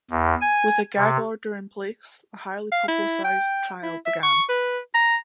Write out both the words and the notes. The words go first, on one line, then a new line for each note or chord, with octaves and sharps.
With a gag order in place, the highly publicized trial began.
E2
G#5
C3
F5
E4
G5
E4
E5
C#6
B4
A#5